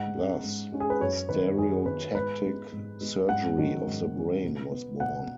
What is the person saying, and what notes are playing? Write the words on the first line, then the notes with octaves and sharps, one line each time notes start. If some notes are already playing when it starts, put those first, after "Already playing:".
Thus, stereotactic surgery of the brain was born.
Already playing: G#2 F#5
G#3 C#4
G#2
G#3 C#4
G#4
B4
F#2 C#5
D#3 B3 B4
F#2 G#4
D#3 B4
B3
G#2 B4
G#3 B3
G#2
G#3 B3
G#2 F#5
D#3 F#3 C#4
G#2
D#3 F#3 C#4
B2
B3
B2 F#5